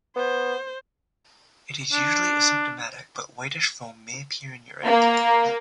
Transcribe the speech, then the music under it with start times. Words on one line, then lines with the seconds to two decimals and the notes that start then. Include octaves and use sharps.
It is usually asymptomatic but whitish foam may appear in urine.
0.16 B3 C5
1.93 D4
4.87 A#3